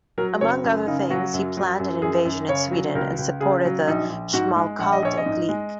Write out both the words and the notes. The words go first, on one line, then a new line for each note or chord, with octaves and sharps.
Among other things, he planned an invasion in Sweden and supported the Schmalkaldic League.
F#3 A#4
F#1 C#5
F#2
C#3 D#4
F#3 F#4
F#2
F#3
F#2
F#2 G#4
F#2
C#3 C#5
F#3
C#2 A#4
C#2
C#3 G#4
F#3
A#1 D#4
A#1
G#2 F#4
G#3
A#1 F#5
D#5
A#1 C#5
D#5
G#2
G#3